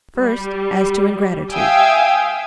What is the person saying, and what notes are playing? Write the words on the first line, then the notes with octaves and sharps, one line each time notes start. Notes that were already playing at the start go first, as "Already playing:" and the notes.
First, as to ingratitude.
G3
E5 F5 G5 G#5 D#6 E6